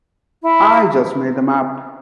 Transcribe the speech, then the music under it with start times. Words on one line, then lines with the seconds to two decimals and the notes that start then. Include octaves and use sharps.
I just made them up.
0.43 E4